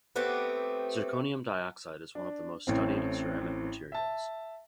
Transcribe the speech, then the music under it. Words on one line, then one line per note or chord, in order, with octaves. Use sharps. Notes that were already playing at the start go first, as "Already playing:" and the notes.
Zirconium dioxide is one of the most studied ceramic materials.
A3 B3 C4 G4
D4
A1 A2 C4
E5 A5